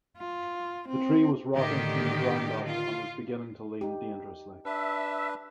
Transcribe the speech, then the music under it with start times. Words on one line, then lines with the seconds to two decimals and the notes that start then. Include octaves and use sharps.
The tree was rotting from the ground up and was beginning to lean dangerously.
0.18 F4
0.89 C4
1.54 A2 D3 D#3 G4
2.67 F4
3.81 D#4 G4
4.65 D4 B4 E5